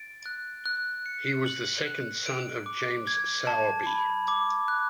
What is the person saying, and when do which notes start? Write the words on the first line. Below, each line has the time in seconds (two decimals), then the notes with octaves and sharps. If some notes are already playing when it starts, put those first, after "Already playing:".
He was the second son of James Sowerby.
Already playing: A6 D7
0.26 F#6
0.66 F#6
1.06 C#7
1.46 F#7
1.86 F#6
2.26 D7
2.66 D6
3.07 G#6
3.47 A5
3.87 B5
4.28 D6
4.68 F#6